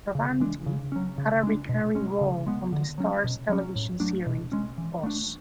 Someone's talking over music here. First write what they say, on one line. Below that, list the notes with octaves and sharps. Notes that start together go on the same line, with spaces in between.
Travanti had a recurring role on the Starz television series "Boss".
C#3
E3 G#3 D4
C#3
F#3 C#4
C#3
G#3 D4
B2
G#3 C#4
C#3
G#3 B3
D3
F#3 C#4
B2
F#3 C#4
A2
F#3 A3 D4
B2
G#3 C#4
E3
A3 D4